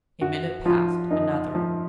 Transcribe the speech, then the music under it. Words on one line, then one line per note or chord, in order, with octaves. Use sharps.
A minute passed--another.
F#2 F#4
F3 F4
F#2 D#4
F3